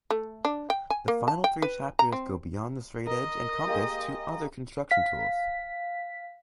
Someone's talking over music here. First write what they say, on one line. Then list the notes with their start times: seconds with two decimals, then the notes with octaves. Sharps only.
The final three chapters go beyond the straightedge and compass to other construction tools.
0.10 A3
0.45 D4
0.70 G5
0.90 G#5
1.08 A#3
1.28 A5
1.44 G5
1.62 B4
1.99 A#5
2.12 C4
3.07 A#4 D#5
3.67 G#3 A#3 G4
4.91 F5 B6